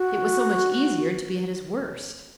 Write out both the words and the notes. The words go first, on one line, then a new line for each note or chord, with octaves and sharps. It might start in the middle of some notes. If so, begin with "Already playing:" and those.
It was so much easier to be at his worst.
Already playing: F#4